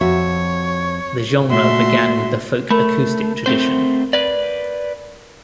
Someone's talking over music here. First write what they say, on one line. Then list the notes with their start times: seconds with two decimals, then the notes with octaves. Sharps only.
The genre began with the folk-acoustic tradition.
0.01 F2 F#4 C#5 E5
1.49 A#2 A3 F#4 E5 C6
2.70 A3 A#4 B5
3.46 A3 C4 C5
4.13 B4 D5